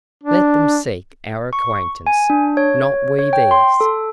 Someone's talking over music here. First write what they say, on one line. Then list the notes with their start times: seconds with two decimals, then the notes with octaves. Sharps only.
Let them seek our acquaintance, not we theirs.
0.23 D4
1.53 C#6
2.07 G#5
2.30 D4
2.57 C#5
3.19 C#5
3.33 G5
3.51 C6
3.81 A4